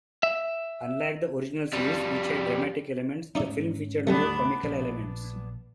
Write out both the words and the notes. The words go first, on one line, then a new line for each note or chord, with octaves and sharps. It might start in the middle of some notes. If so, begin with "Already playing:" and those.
Unlike the original series, which had dramatic elements, the film featured more comical elements.
E5
F2 G3
G#2 C#4 D#4 D5 E5
D2 G#2 D3 G3 A3 B3 D4
A#1